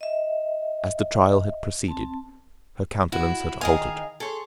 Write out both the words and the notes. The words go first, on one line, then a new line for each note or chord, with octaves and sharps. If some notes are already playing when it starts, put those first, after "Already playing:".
As the trial had proceeded, her countenance had altered.
D#5 E5
C4 A5
E4 F#4
D#3 G#4 D#5 F5 G#5
G#4 A4 C#5 C6